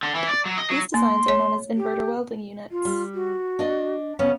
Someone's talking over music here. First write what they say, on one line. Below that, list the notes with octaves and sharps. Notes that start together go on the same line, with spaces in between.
These designs are known as inverter welding units.
D3
E3
D5
F#3
D#5
F#3
A#3 C6
C#5
G4
F4
G3
F#4
D4 D5 D#5
C#3 B3 C#4